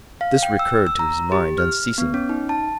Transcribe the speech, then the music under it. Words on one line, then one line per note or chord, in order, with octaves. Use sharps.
This recurred to his mind unceasingly.
F5
G5
E6
E6
A#5
G4
F6
B3
C#4
D#4
A5